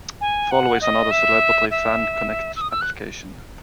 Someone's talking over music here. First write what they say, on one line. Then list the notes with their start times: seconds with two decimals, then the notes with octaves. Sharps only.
Follo is another celebrity Fan-connect application.
0.21 G#5
0.51 F#5
0.81 D#5
1.11 E5
1.71 E5
2.56 E6
2.61 D#6
2.71 E6
2.81 F#6